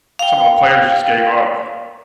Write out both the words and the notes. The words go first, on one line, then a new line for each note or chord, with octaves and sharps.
some of the players just gave up.
F5 G5